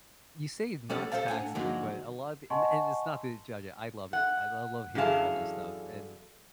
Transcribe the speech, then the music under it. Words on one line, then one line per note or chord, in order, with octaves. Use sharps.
You say it not taxing, but a lot the and and it's not to judge it, I love it, I I love hearing all this stuff, and
G3 C#4 A4 D5 F#5
A4 B4 C5 F5 A5
A2 D4 F#5 G#5
D3 F3 F#3 G#3 A#3 D#4
D#5 F#5 G#5 A5 C6 C#6
F#5
F#2 D3 E3 G#4 F5 A5